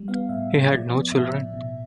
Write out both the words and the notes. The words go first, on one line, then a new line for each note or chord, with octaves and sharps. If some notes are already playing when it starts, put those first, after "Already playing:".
He had no children.
Already playing: G3
B3 F5
A2 E5
A2
F3 D5
B3
A2 E5
A2
B2